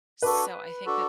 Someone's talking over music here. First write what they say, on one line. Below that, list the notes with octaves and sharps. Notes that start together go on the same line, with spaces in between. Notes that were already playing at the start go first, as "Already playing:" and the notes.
so I think that
D4 F#4 A4 B4
D4 F#4 A4